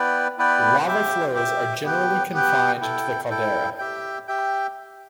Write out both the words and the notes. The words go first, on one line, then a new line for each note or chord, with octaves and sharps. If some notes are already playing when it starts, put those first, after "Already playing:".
Lava flows are generally confined to the caldera.
Already playing: B3 E4 B4 D5 G5
B3 E4 B4 D5 G5
G4 E5 G5
G4 E5 G5
B3 G4 B4 G5
B3 G4 B4 G5
E4 A4 G5
E4 A4 G5
G4 E5 G5
G4 E5 G5